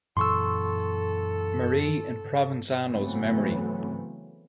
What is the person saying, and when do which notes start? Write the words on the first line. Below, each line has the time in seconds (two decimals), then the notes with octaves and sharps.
Marie in Provenzano's memory.
0.17 F#2 A#2 E3 A4 C6 C#6 E6
2.89 C#3 E3 F#3 A3 B3 C4